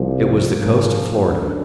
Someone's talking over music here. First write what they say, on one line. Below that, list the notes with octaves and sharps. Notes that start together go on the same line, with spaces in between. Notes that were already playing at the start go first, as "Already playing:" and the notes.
It was the coast of Florida.
Already playing: C2 C3 F3
G#2 F3 A#3 C#4
G#1 F#2 D3 F#3